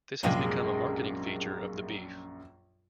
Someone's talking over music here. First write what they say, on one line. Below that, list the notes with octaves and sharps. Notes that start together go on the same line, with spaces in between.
This has become a marketing feature of the beef.
A#1 F#2 C3 G#3 A#3